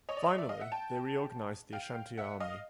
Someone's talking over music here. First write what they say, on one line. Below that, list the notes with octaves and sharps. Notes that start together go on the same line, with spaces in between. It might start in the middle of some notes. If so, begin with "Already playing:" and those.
Finally, they reorganized the Ashanti army.
C#5 D#5
D5
C#5 D#5
D5 E5
D#5 F5
E5 F#5
G5 A5
F5 G5
E5 F#5
D#5 F5